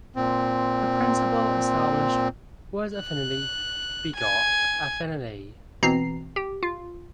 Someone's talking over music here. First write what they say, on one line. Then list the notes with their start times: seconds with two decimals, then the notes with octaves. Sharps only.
The principle established was affinity begot affinity.
0.16 A#2 C4
2.96 F#6
4.17 G#5
5.83 B2 E3 C4 A#5 C7
6.36 G4
6.63 F4